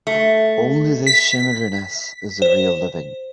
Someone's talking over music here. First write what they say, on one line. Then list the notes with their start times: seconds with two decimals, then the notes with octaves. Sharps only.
Only this shimmeriness is the real living.
0.07 A3
1.07 B6
2.42 C5